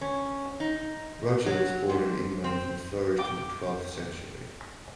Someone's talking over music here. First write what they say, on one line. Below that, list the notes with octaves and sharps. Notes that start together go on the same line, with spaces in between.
Roger was born in England and flourished in the twelfth century.
C#4
D#4
F#3
G#2
C4
G5 D6